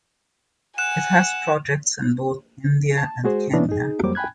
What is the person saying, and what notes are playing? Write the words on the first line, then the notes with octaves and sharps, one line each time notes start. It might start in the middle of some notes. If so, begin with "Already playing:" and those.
It has projects in both India and Kenya.
F#5 G#5 F#6 E7
A5
G#3 F#4 G#4 C5
E3 B3 C#4 D4
D#4 G#4
F2 F#3 G3 A#3 C5 D6
G5 G#5 B5 F#6 G#6